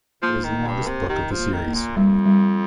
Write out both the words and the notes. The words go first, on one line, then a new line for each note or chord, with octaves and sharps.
It is the longest book of the series.
F3 A#3
D#3
A#3
G2
A#4
C3
D#3 G4
F3
A#3
D#3
A#3
A#2
F2 G3
G3